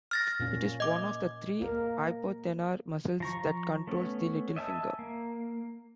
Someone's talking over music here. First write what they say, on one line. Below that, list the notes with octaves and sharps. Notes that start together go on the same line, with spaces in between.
It is one of the three hypothenar muscles that controls the little finger.
F6 A6 A#6
A#2 A#3 C#4
D#5 D6
A#3 A#4
F3 A#5 C#6
A3 B3 C#4
D#5 E5 G#5 A5 E6
A#3